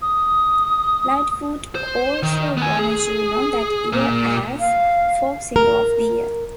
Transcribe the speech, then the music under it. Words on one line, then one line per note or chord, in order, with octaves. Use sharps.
Lightfoot also won a Juno that year as "Folk Singer of the Year".
D#6
C5
D#3
B3 G#5
G#4
A#2 A#3
F5
A#4